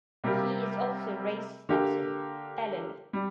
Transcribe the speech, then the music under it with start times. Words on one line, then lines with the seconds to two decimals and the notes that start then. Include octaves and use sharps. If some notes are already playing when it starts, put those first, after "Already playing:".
He is also Rey's stepson, Elul.
0.24 C3 G3 A#3 G4
1.69 D3 A#3 G4
3.13 G3